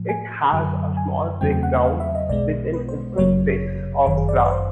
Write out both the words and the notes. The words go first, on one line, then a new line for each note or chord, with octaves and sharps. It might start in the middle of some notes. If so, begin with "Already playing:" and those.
It has a small playground, with an open space of grass.
Already playing: A2 F3
G#5
F#2 D3 F#3
G#5
E2 C#3 F#3 A3 C4 G5
G5
F#5
F#5
F5
E5
D#5
B1 B2 G#3 B3 D5
B4
C5
G1 F#2 C#3 F#3 A#3 C#5
G1 F#2 D#3 C#5
G#4
D5
D5
B4
C5